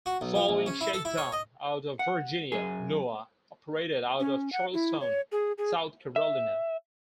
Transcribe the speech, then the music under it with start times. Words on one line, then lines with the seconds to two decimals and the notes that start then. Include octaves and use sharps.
Following shakedown out of Virginia, "Noa" operated out of Charleston, South Carolina.
0.06 F#4
0.21 B1
0.35 F3
0.49 A#1
0.66 C#4
0.81 E4
0.93 A4
1.05 E4
1.17 C#5
1.32 D#5
1.99 F#5
2.52 F#2 G#4
4.20 C#4
4.52 F#5
4.73 E4
5.00 C#5
5.32 G#4
5.58 G#4
6.16 E5